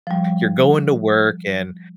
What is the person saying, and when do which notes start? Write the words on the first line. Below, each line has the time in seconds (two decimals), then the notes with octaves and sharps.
you're going to work and,
0.07 F3 G3